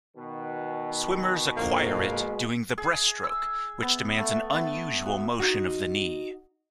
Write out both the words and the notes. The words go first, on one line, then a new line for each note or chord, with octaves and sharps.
Swimmers acquire it doing the breaststroke, which demands an unusual motion of the knee.
B2 D#3
A#1 F2 A#3
G#3
G#4
E6
B3
A3
B3
F#4
D#4 F#4